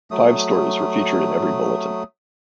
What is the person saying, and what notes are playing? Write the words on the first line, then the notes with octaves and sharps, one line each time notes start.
Five stories were featured in every bulletin.
F#3 A3 D#6